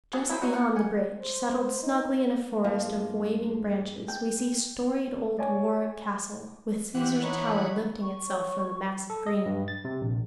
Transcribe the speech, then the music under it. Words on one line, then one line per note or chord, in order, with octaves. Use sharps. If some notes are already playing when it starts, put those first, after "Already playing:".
Just beyond the bridge, settled snugly in a forest of waving branches, we see storied old Warwick Castle, with Caesar's Tower lifting itself from the mass of green.
D4 F#4 G#4 A4 F#5
F#3 E4 G#4 A4 C5
F#3 D#4 F#4 F5
A#4 C5 F#5
F#5 G#5
C5
D#4
G2 F3 G#3 A#3
G5
C#5 D5 G#5
E3 G4 C5 F#5
D#4 C#5 B5
C#6
C#5
A4
D#5
G2
A6
C3
A#1